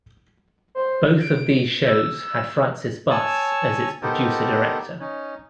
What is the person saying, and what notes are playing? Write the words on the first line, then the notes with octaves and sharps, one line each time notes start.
Both of these shows had Frances Buss as its producer-director.
C5
D7
E6
C#5 G#5 A5 E6
B3 D#4 G4 A4 A#4 C5
C#4 D#4